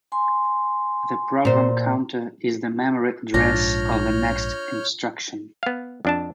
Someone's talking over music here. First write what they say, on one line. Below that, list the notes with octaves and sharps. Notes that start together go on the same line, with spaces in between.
The program counter is the memory address of the next instruction.
G#5 C6
A#2 C5
A#1 G#2 D4 F4 C#5 F6 G6 A#6
B3 F5
F2 D4 A5